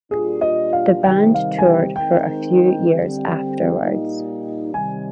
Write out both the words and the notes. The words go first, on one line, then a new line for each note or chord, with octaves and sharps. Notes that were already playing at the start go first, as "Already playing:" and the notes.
The band toured for a few years afterwards.
A#2 G3 D4 F4 G#4
D#5
F5
C3 D#3 G3 G5
F5
G#5
G5
D#3 G#3 C4 D#4 G5
D3 G3 C4
A#2 G3 A#3 D#4
C3 D#3 G3 G#5